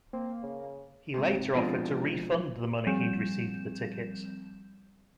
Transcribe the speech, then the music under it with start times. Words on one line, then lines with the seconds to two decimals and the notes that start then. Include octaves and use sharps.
He later offered to refund the money he received for the tickets.
0.13 A#3 C4
0.43 C#3
1.14 G#2 C3
1.55 B2 F3 G#3 C4 D4
2.87 F3 G3 C4 G6 E7